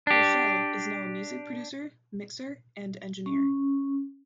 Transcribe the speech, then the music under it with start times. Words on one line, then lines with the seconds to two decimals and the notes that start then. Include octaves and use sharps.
Burchell is now a music producer, mixer, and engineer.
0.07 D4 G4
3.26 C#4